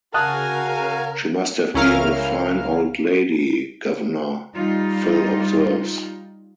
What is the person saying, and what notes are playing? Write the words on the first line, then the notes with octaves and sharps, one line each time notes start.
"She must have been a fine old lady, guv'nor," Phil observes.
C#3 F#4 A#4 F5 G#5 A5 D#6 F#6
C#2 C#4 E4 A#4 F5 F6
G3 D#4 F4